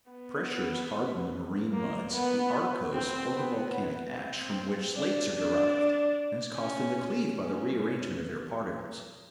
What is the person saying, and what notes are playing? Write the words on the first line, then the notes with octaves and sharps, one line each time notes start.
Pressure has hardened the marine muds, the arkose, or the volcanic ash from which slates are derived, and has caused them to cleave by the rearrangement of their particles.
B3
A#3
B3
C4
B3
C4
D4
D4
C#4
C#4